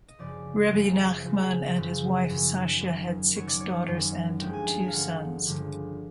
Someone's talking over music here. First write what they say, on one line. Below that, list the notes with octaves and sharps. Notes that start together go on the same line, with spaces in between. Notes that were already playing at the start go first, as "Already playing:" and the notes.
Rebbe Nachman and his wife Sashia had six daughters and two sons.
D#5
F#1 F#2 C#3 F3 D5
F#1 F#2 C#3 F3
F#1 F#2 C#3 F3
F#1 F#2 C#3 F3
F#2 D#3 F#3
F#2 D#3 F#3
F#2 D#3 F#3 C#5
D5
C#5
F#2 D#3 F#3
G1 G2 D3 F3 G#3 G5
G#5
A5
G#5
F5
G1 G2 D3 F3 G#3 F#5
G1 G2 D3 F3 G#3